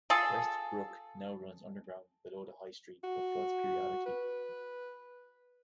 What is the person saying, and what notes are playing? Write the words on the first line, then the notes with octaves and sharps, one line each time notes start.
West Brook now runs underground below the High Street, but floods periodically.
F4 G#4 A4
F#4
B4